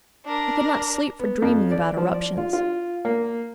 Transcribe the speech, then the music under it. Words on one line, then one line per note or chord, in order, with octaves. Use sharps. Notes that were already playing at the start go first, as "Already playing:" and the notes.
I could not sleep for dreaming about eruptions.
D4 A#4
B3
F2
D5
F3
D5
F4
F4
A#3